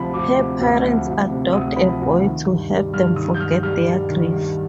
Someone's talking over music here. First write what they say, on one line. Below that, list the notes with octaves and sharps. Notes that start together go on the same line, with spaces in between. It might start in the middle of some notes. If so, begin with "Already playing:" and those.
Her parents adopt a boy to help them forget their grief.
Already playing: D2 C3 F3 B5
D2 D6
C3
D2
F3
D2
C3
D2 D#6
F3 B5
D2
D#3
G2
G3
G2 F6
D#3 D#6
G6
G2 F6
G3 F6
G2
D#3
G2